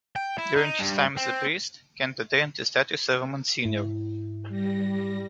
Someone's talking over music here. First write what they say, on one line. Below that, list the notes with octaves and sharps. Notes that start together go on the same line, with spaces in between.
During his time as a priest Kent attained the status of a monsignor.
G5
E4
D#4
G2
C4
G#2 E4
G3 A#6